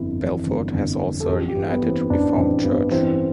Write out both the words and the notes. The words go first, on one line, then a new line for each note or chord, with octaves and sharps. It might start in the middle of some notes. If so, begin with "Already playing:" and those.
Belford has also a United Reformed Church.
Already playing: G1 F2 E4
E3
G1
G1
F2
A4
A1 G4
G4
G2
B3
E3
C4
A1 D4
A1 C4
G2 B3
E3 C4